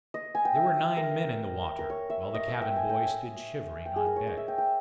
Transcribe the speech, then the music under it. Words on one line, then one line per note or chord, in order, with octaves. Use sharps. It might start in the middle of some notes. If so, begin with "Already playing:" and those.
There were nine men in the water, while the cabin boy stood shivering on deck.
D#5
G#5
G5
E5
A#4
A#4
C#5
E5
D#5
E5
G5
G#5
G5
G#5
G5
G#4
A#4
C#5
D#5
E5
G5
G5